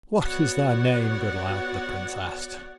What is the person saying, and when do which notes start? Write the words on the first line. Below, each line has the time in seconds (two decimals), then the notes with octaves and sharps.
"What is thy name, good lad?" the prince asked.
0.20 B3 F#4 C#5 D5 F#5